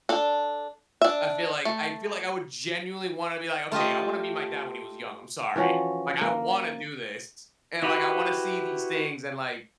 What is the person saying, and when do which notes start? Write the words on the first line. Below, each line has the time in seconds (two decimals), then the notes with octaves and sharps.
I feel like I feel like I would genuinely wanna be like, "Okay, I wanna meet my dad when he was young, I'm sorry." like, "I wanna do this," and, like, "I wanna see these things," and, like,
0.09 D4 A4
1.01 D4 E5
1.65 A3
3.72 A3 F4 G4 D#5
5.56 E3 F3 C#4 F#4
6.21 A#3
7.82 E4 F#4 G4 B4 C5